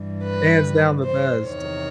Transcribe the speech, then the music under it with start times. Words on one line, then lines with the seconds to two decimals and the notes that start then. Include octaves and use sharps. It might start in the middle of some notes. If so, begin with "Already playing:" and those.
hands-down the best!
Already playing: G2 E3 G3
0.24 B4
1.05 C5
1.46 E2 C3 D#3 C#5